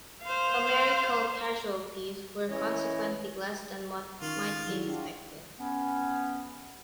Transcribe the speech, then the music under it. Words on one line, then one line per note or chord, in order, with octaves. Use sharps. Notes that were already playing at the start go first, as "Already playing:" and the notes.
Americal casualties were consequently less than what might be expected.
C5 F5
E3 C#4 E4 C#5 D#5
D#3 C#4 D#4 F4 C#6
F#3 E4 G#4
D4 F4 F#4 G5
B3 C#4